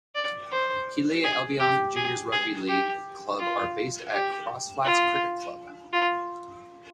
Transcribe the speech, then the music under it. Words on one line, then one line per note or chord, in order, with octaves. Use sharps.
Keighley Albion Juniors Rugby League club are based at Crossflatts Cricket Club.
D5
C5
G#4
G4
G#4
G#4
G4
F4
G4
F4
F4